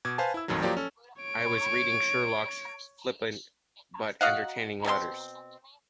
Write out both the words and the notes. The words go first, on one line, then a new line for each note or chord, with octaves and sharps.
I was reading Sherlock's flippant, but entertaining letters.
B2 D6 G#6
B4 C5 F5 G#5 A5
E4 E6
A1 F2 A#2 D#3 F#3
F3 F#3 A#3 F4 G4 D5
C#4 A4
C#5 D7
F#4 D#5 F5 F#5
B2 C4 E4 C6